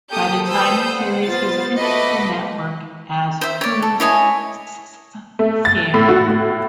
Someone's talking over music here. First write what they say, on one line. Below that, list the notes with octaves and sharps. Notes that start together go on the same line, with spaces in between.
By the time the series was pitched to the network as Who's S-S-Scared?
A#3 G4 A4 D#6 G6
A4 B4 C5 D#6 E6 G6
C5 F#5
B3 F4 C5 A6
A3 F#4 B4 D#5 D6 B6
C5 E5
C#5 D5
A4
E4 C#5 D#5 G#5
A3
A6
A2
F#4
A2